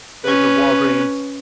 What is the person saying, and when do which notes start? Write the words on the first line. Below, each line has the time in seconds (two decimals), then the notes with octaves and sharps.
there's a Walgreens
0.24 C#4 B4